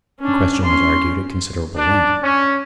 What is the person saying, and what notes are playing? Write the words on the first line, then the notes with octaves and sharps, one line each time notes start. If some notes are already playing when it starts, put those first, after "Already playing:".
The question was argued at considerable length.
C#4 D4
C#4 C6
D4
C#4